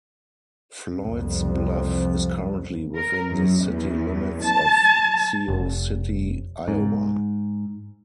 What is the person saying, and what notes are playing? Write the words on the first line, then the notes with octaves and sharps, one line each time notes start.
Floyd's Bluff is currently within the city limits of Sioux City, Iowa.
C2 F2
A#4
F#2
E2
A5
F1
G#2